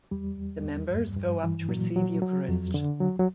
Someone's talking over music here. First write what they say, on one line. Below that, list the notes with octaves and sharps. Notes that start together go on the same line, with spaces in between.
The members go up to receive Eucharist.
E2 G3
E2
E2
G2
G2
E3
A#2 F#3
F#3
F#3
F2
D3
F#3
F#3